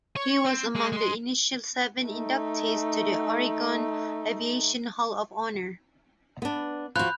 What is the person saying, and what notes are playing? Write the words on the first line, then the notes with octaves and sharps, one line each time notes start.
He was among the initial seven inductees to the Oregon Aviation Hall of Honor.
C#5
C4
G#3
G#3 C6
A3 D#4
B3 D4
F3 F#4 B5 F#6 G6